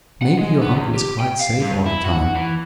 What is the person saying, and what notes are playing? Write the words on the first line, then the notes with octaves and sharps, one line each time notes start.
Maybe your uncle is quite safe all the time.
F#5
G#3
B3
E2
G4
G5
F5
G2
E4
F#4
E3